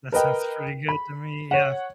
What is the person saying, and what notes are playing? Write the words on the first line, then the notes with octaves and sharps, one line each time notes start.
that sounds pretty good to me, yeah.
A#4 B4 D#5 G5
B5
C#5 F#5